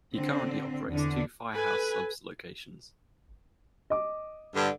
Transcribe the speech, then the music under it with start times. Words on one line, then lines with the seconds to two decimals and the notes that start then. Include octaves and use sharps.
He currently operates two Firehouse Subs locations.
0.14 D3 C4
0.91 E2 D3 D4
1.55 A4 B4 G#5
3.90 D#5 D6
4.55 G2 D3